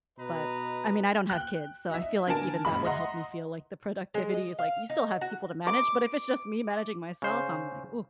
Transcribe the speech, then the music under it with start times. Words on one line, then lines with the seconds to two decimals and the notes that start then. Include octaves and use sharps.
but I mean, I don't have kids, so I feel like even that would help me feel like the productivity is like you still have people to manage, but if it's just me managing myself, I'm like, "Ooh,
0.19 B2 B4 D#5 A#5
1.30 G5 F#6
1.90 D#4 E5
2.28 D3 A#4 G#5 A5 D7
2.65 A#1 F#2 G#3 B5
2.85 D#5 E5 F#5 A#5 C6
4.14 G#3
4.34 D#5
4.59 F5
4.90 D#4
5.21 F#4
5.67 D6
7.22 C#3 C5